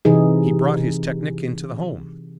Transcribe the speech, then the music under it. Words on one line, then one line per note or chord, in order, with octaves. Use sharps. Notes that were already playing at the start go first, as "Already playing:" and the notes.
He brought his technic into the home.
C3 E3 D#4 G#4